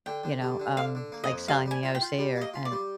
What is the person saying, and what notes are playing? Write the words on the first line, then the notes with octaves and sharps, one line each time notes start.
you know, um, like Selling the OC or and
D3 G5
D3
G3
D3
D3 F5
D3
A#3
D#5
F2
G3 F5
G3
G#5
F4
G5
F4
G3
A#3
D#5
F4
D5
G3